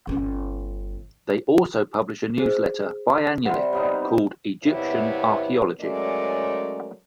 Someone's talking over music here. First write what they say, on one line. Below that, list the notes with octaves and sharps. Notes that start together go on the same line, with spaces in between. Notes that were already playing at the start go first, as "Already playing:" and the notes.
They also publish a newsletter bi-annually called "Egyptian Archaeology".
G1 C#4
G#4 C5
C3 G3 F#5 C6
G3 B3 D#4 C#5
E2 G2 C3 B3 E4 C#5
F#3 G#3 A3 C#4 A#4 D5